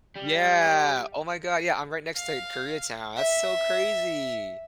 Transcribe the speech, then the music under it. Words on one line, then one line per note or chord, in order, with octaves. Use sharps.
Yeah. Oh my god, yeah, I'm right next to Koreatown, that's so crazy.
G3
F5
E5